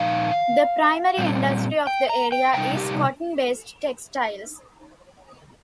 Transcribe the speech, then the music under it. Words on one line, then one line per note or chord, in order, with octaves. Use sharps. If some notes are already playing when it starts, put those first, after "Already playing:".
The primary industry of the area is cotton-based textiles.
Already playing: A#2 F3 D#4 F5
A#2 G3 C4
G5
A#5
G5
C3 G3 D#4 G5
G4